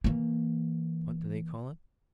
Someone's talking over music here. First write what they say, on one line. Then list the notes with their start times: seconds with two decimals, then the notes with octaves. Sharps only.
What do they call it?
0.04 E3 A#3